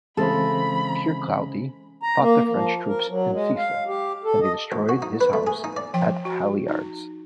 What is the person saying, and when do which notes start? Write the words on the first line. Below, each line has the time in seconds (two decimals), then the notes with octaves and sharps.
Kirkcaldy fought the French troops in Fife and they destroyed his house at Halyards.
0.17 C#3 E3 G#3 A3 C4 A4 C5 B5
2.03 A#5
2.20 A#3
2.49 F3
2.87 A#4
3.09 F#3
3.33 G#3
3.57 F5
3.87 G4
4.24 A4
4.41 D#5
4.72 D2
4.89 F#4
5.02 D#4
5.21 B4
5.33 A3
5.47 G#4
5.64 D#4
5.77 D5
5.94 F3 G5
6.25 F#4
6.68 D#4